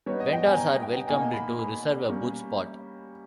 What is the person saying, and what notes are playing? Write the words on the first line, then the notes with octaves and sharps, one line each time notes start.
Vendors are welcomed to reserve a booth spot.
G3 B3 D#4 C#5
D#5
G5
G#5
A#5
G5
G5
B2 A#3 D#4 G#5
B5
B5
G3 A#3 C#4